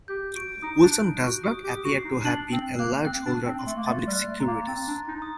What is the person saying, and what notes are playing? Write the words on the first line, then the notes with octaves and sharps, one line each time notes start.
Wilson does not appear to have been a large holder of public securities.
G4 G6
F#4 D7
D#4 D#6
D4
F#6
D#4
F#6
F#4
F#4 D#6
G4
D#6
F#4
C7
D#4
D4 F#7
C4 F#7
A#3 F#6
C4 F#6
D4
F#6
C4
C6
A3
A#3
A3 A6
G3
F#6
A3
A#5
A#3
C4 A6
D4
F#6
D#4
D#6